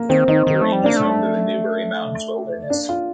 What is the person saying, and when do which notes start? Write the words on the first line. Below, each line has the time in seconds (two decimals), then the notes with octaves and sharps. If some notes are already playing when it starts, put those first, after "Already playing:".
The range is home to the Newberry Mountains Wilderness.
Already playing: A#3
0.09 D#3 C4
0.28 D#3 D#4
0.47 D#3
0.61 A3
0.72 G3
0.84 A#3 D4
0.97 A3
2.70 A#3 D4
2.89 F4